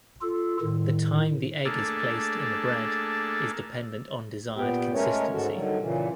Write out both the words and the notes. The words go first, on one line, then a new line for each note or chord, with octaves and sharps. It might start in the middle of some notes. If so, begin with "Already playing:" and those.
The time the egg is placed in the bread is dependent on desired consistency.
F4 A4
A2 D#3
A3 A#3 D4 G#4 A4
A#2 B3 G4
G#3 A3 C#4 A#4 C#5
G#2 G#3 F#4 A4
D3 D#3 F#3 G3
A#2 C#3 E3